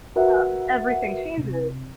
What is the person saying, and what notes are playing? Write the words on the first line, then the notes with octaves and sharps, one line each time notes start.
Um, everything changes.
F#4 A#4 B4 E5 F#5
C3